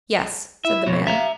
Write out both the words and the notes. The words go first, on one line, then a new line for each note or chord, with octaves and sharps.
"Yes," said the man.
E4 E5
F2 B2 C#5
E5 F5 A#5